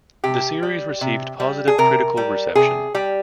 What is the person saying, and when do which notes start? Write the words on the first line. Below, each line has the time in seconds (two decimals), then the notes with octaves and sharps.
The series received positive critical reception.
0.24 C3 G4
0.63 G3
1.01 C3
1.40 G3
1.68 G#4
1.78 C3 A#4
2.17 G3
2.55 C3 G#4
2.95 G3 G4